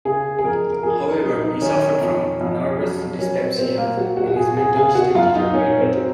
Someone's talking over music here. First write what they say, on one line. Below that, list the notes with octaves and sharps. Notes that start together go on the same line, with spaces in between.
However, he suffered from "nervous dyspepsia" and his mental state deteriorated.
C#3 G#4
G#4
F2 A#4
A#4
F2 G#4
A#4
F#3 D#4
D#4
D#3 C#4
F2
F2
F#3
F#3 C#4
C4
A#2 C4
A#3
F#3 F#4
F#4
F#4
A#2 G#4
G#4
C#3 G#4
F#4
F#2 F4
D#4
F#2 C#4
C4
F#3